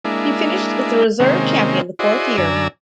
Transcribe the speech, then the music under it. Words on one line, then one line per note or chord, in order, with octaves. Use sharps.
He finished as the reserve champion the fourth year.
G#3 A#3 D4 E4
C3 D#3 G#3 A#3 C4 C#4
E4 F#4 G#4 C5 D5 D#5
F#2 D3 D5 G#5 A#5 E6